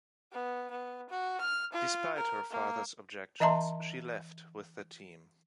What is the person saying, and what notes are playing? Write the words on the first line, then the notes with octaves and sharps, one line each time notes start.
Despite her father’s objections, she left with the team.
B3
B3
F#4
F6
F4
A#4
A#3
E3 D#5 E5 A5 A#5 C6